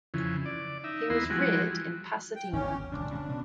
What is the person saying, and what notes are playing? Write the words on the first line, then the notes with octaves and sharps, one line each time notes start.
He was reared in Pasadena.
F2 C#3 E3
D5
D#4 E5
E2 B3 E4 A#5 C6
E3 F3 G3 G#3 F#4
G5
G#1 E2 D3 C#4
D#1 C#2 F#2 D4
C#3 C#4
B2